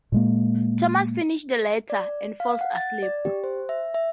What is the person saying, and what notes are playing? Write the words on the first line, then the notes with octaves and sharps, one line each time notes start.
Tomas finishes the letter, and falls asleep.
A#2 G#3 A#3
D5
F5
F#5
A6
D5
G4
C5
E5
E5